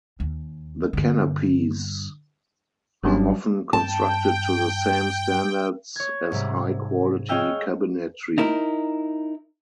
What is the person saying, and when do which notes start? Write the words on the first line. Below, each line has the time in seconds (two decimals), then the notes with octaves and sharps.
The canopies are often constructed to the same standards as high quality cabinetry.
0.20 D#2
0.93 G2 D3
3.03 G#1 F#3 G3 C#4 D4
3.73 G2 G5 A5
5.96 C#5 G#6
6.32 G#2 C3 G3
7.28 G#4 C#5 D#5 F5 G5 E6
8.38 D#4 E4 A#4